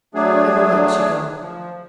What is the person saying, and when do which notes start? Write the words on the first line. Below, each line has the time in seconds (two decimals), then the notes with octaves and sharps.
"I will let you go."
0.14 F#3 A3 D4 G#4
1.41 F3